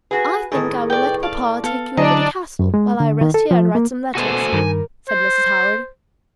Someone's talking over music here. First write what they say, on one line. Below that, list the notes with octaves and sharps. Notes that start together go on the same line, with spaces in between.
"I think I will let papa take you over the castle, while I rest here and write some letters," said Mrs. Howard.
F#4 G#4 B4
A2 D#3 G#4 A4 B4
D5 G5
D5 F5 A5
B3 A4 F5
D3 F#3 D4 E4 G#4 D5 D#5 A#5
F#2
G#3
D3
D#3
A4
F3
A#3
B2 F#4 A4 C5 G#5
G2 D#3 A#4
C5